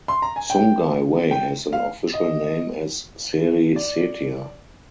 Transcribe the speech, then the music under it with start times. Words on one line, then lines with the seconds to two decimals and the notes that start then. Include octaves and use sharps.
Sungai Way has an official name as "Seri Setia".
0.08 C6
0.22 A#5
0.36 G#5
0.50 G5
1.31 G5
1.73 F5
2.14 D#5
3.76 D5